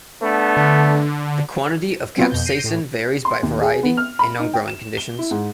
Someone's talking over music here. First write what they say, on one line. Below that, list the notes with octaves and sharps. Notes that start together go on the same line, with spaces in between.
The quantity of capsaicin varies by variety, and on growing conditions.
A3 B3 D4
D3
F#3 B3 C4 F4 F#4 B4
F2 B2 G6
G6 A#6 C7 D7 D#7
A2
C6
D#2
G#4
B3
F6
B5
D#4
G5
E7
G7
E4
G#2